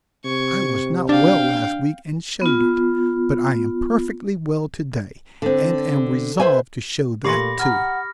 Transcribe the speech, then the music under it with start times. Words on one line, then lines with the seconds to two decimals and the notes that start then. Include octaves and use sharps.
I was not well last week and showed it, but I am perfectly well to-day and am resolved to show that, too.
0.25 C3 C#6 G#6
1.09 D4 F5 G5
2.42 B3 F4
5.42 D3 C4
6.40 B4 C5 E5 G#5
7.24 A#2 A3 G4 B5 C6 D6 A#6 C#7
7.59 F#5 A#5 B5 F6